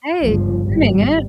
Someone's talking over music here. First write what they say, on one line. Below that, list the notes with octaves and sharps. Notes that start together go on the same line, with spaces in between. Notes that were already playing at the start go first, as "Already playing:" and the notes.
Right doing it.
G1 C#2 F3
G#1 G3